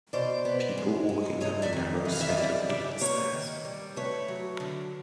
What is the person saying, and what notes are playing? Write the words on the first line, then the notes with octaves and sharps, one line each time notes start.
People walking up a narrow set of wooden stairs.
B2 C5 D5
B3
G#3
G#3
E2 C#5 D#5
D5 E5
D#3
E3
F5
E5
D#5 F5
G3 D5 E5
C#3 D5 E5
A#3 B4 C#5
D#3
G3
A3 B4 C#5
F#3
D3